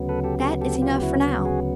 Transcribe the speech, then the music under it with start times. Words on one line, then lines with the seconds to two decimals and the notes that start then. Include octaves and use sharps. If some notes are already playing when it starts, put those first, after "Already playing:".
That is enough for now!
Already playing: D2 C#3 F#3 B3
0.09 A4 B4
0.24 G4 A4
0.40 G4 A4
0.61 G4 A4
0.82 F4 G4
0.94 G4
1.03 E4 F#4
1.45 F#4 G#4